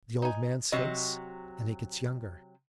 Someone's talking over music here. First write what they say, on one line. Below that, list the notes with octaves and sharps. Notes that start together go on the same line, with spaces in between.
The old man's face, and it gets younger.
D#4 G#5
C3 F#3 D#5